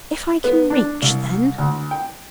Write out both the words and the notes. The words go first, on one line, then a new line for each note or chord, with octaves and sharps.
"If I can reach, then."
B3
D4
C2
D2
G5